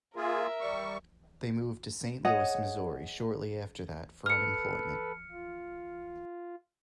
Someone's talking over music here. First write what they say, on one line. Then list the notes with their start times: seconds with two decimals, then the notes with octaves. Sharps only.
They moved to Saint Louis Missouri shortly after that for employment.
0.16 A#3 F4 G#4 A#4 E5
0.61 G3 C#6
2.25 G#4 C#5 D#5 F#5
4.26 A4 B4 F6 C#7
5.31 F4